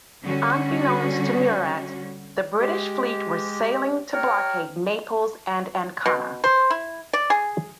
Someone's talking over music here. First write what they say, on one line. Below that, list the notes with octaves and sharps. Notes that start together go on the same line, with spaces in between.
Unbeknownst to Murat, the British fleet were sailing to blockade Naples and Ancona.
D3 G3 C#4 F#4
G#3 G4
G4 C#5 G5 A#5 F6
B2
C5
E4
D5
G#4